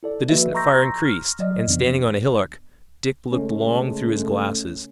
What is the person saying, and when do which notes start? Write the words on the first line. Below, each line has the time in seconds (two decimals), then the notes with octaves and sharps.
The distant fire increased, and, standing on a hillock, Dick looked long through his glasses.
0.03 E4 A4 D5
0.29 F3 A#3 F#4 B4 D#5 E5
0.55 A#5 C6 C#6 E6 G6 A#6
1.05 F6
1.39 F#3 D5 D#5
1.67 F2 C3 E3 F3 B3 D4
3.32 C#3 G#3 A3 C#4